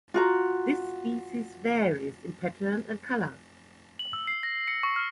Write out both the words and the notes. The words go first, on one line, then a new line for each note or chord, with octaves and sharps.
This species varies in pattern and color.
F4 F#4 A#5
F#7
E6
C7
A#6
C#7
C#6
F6